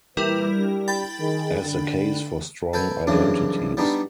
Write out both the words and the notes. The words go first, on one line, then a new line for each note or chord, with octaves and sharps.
As the case for strong identities.
A#2 E3 G3 E4 A#4 B4
D4 G4
G5 B5 A6
D#3 G#4
D3
A4 B4 G5 G#5
C2 F#2 C#3 E3 D4
G3 B3 D4 D#4